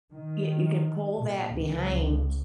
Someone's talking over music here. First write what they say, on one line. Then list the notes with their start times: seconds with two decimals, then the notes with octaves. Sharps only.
yeah, you can pull that behind.
0.12 D#3
1.19 A#2
1.56 C#2